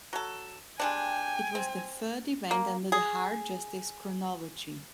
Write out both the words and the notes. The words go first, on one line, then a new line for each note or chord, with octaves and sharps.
It was the third event under the Hard Justice chronology.
F#3 A4
G3 G#3 D4 G5 G#5
C4
A#3
G#4